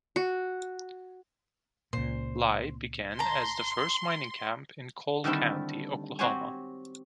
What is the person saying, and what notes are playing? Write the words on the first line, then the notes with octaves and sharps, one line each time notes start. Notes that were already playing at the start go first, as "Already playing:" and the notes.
Lehigh began as the first mining camp in Coal County, Oklahoma.
F#4
C#2 A#2 C5
A5 A#5 C6
D3 D#3 G3 A3 C4 E4
C4 F#4 G4 C5 C#5 G#5